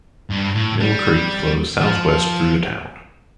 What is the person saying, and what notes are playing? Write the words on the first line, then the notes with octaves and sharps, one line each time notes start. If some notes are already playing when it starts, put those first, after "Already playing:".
Mill Creek flows southwest through the town.
G2
A2
G3
F3